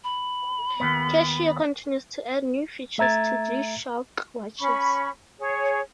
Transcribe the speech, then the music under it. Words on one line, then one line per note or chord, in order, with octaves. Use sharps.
Casio continues to add new features to G-Shock watches.
B5
D#2 G#2 B3
A3 E5 A#5 G#6 A6
C#4 B5 C#6
G#4 C#5